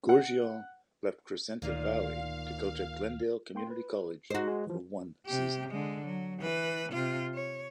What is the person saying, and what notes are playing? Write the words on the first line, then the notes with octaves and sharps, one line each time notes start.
Goorjian left Crescenta Valley to coach at Glendale Community College for one season.
F#5
D2 A#2 D#3 D#4 F5
A#3 G5 C6
B4
G#3 D#4 F#4 C5
G#3
E3 F3
C3 G4
D3 G#3
F#3
E3 B4
C3 F4
C#5